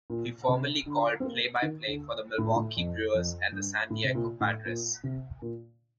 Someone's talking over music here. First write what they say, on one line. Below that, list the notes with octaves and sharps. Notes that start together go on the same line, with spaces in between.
He formerly called play-by-play for the Milwaukee Brewers and the San Diego Padres.
A#2
C3
D3
C4
A#3
D#3
D3
A2
A#2
A2
F2
F2
G2
A2
C3
A#2
A2
A#2
C3
A#2